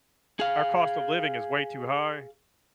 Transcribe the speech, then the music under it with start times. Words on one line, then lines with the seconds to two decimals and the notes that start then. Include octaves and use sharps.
our cost of living is way too high,
0.40 G#4 F5